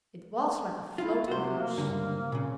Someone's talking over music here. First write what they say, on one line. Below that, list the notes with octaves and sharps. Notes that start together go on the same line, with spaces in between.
It was like a floating house.
E4 F4
C3 F#4 C5
A#3
C#2 G2 D3
A#2 C#3